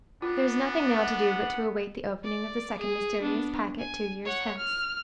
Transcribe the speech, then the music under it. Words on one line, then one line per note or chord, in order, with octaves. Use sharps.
There is nothing now to do but to await the opening of the second mysterious packet two years hence.
B3 D4 F4
F#5
D5
G#4
B3 D4
G#5
C#5 F#5
F6